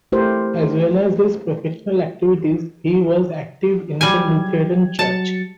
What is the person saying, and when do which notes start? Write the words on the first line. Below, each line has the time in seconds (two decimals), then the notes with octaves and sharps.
As well as his professional activities, he was active in the Lutheran church.
0.12 A3 E4 G4 A#4 C5
4.01 F#3 G3 G#5 G#6
4.99 F#3 A5 A6 C#7